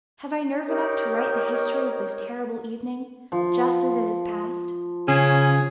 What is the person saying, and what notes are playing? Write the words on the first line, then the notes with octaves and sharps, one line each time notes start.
Have I nerve enough to write the history of this terrible evening, just as it has passed?
D#4 G4 A#4 C#5
F3
C#3 C#4 G#4